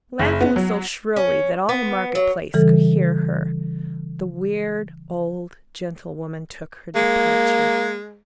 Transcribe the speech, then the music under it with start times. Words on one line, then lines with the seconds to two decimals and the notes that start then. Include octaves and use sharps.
Laughing so shrilly that all the market-place could hear her, the weird old gentlewoman took her departure.
0.19 F#1
0.41 B3
0.56 F#3
1.16 C#4
1.69 B3
2.15 F#3
2.54 C#3 E3 G3 A4
6.95 G#3 A#3